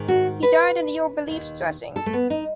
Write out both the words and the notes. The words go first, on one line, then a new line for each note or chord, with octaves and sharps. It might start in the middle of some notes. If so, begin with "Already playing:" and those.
He died in the old beliefs dressing.
Already playing: G#2 D#3
F#4
B4
D#2 D#3
A4
A3
B3
D#4